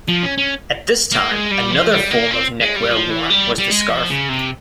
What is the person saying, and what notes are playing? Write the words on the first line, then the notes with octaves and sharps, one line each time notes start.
At this time, another form of neckwear worn was the scarf.
F3
C#4
C#4
A#3
G#3
G3
F3
G3
A#3
C4
G#3
G3
F3
E3
G3
G3
G#3
F3
C#3
C3